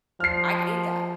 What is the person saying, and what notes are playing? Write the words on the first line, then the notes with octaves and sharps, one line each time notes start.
"I could eat that."
F3 F6 C7